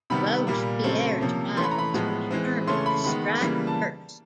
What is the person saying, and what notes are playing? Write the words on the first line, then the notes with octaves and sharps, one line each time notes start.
Robespierre's rivals were determined to strike first.
C3 D#3 G3 B3 B5
A#2 G3 A#3
C#3 F#3 A3 C4
C3 F3 A#3 C#4
E3 A3 C#4 C6
B5
A#5
B5
A2 F3 G#3 B3
E3 G#3 C4
C#3 E3 A3 C#4 C6
B5
D#3 G#3 B3 B5
C#3 E3 G3 A#3
A5